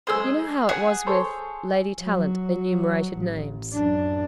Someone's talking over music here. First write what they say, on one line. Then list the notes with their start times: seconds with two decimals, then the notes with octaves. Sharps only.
You know how it was with....' Lady Tallant enumerted names.
0.07 G#3 G#4 C5 D#5 E6
0.69 G#4 F#5
1.06 A4 C5 C#5
2.00 F#3
3.14 A1
3.72 F#2 D4